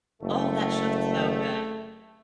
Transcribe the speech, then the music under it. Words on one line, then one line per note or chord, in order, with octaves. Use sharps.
Oh, that show's so good.
F#1 A3